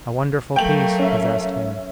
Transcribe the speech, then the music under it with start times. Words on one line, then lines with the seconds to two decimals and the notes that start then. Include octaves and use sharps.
A wonderful peace possessed him.
0.56 F#3 A3 A#3 G5 F#7
0.99 C#4 E5